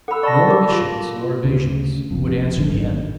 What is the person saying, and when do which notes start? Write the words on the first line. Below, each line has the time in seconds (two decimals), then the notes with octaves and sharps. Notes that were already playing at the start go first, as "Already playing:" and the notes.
No omissions nor evasions would answer the end.
0.08 A4 F#5 B5 E6
0.23 D5 A5 C#6 A#6
0.47 G#4 A#4 D6
0.72 F4
1.44 D2 C#3
2.11 F1 A#1 F2
2.58 G#1 F#2 D3 D#3